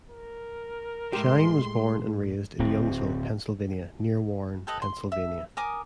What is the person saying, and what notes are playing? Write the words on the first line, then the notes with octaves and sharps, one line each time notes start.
Shine was born and raised in Youngsville, Pennsylvania, near Warren, Pennsylvania.
A#4
A2 G#3 G4 C6
D1 C4
G4 A4 B4 D#5
C6
E5
A#4 G#5 D6 D#6